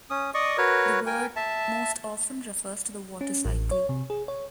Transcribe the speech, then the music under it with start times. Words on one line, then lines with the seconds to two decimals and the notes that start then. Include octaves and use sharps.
The word most often refers to the water cycle.
0.10 C#4 D#6
0.34 D5 D#5 C#6 D#6
0.58 F#4 A#4 B4 C#5
1.06 A#4 G5 G#5
1.36 E5 A5
3.21 C#4
3.45 A1
3.71 C#5
3.89 C3
4.10 G#4
4.28 C#5